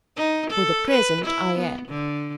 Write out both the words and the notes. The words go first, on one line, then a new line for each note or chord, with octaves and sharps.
"For the present I am."
D#4
A4
B4
E4
B3
D3